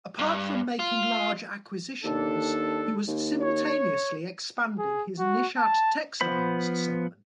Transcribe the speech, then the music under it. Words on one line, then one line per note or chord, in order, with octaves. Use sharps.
Apart from making large acquisitions, he was simultaneously expanding his Nishat Textiles segment.
G2
F4
D#2 D4 A4
D#2
C#5
G#4
F#4
A5
F3 B3 C5 B5